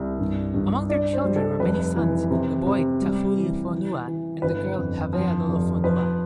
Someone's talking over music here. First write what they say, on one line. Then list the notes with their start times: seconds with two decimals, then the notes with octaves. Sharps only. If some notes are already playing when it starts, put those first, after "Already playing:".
Among their children were many sons', the boy Taufulifonua and the girl Havea Lolofonua.
Already playing: C2
0.19 G2
0.54 G2
0.89 D4 D5
1.13 C5
1.25 G3
1.36 A4
1.60 F1 B4
1.96 E3
2.31 C3
2.66 C3
3.02 G3
3.37 E3
3.72 E3
4.08 E3
4.42 G1 B4
4.78 F2
5.13 F3
5.48 F1
5.84 F3 B4